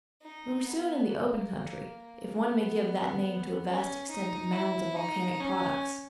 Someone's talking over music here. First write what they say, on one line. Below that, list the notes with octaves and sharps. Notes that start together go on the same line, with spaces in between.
We were soon in the open country, if one may give that name to a vast extent of mounds of volcanic products.
D#4
B3
A#3
B3
C#4
D#4
E4
D#4
C#4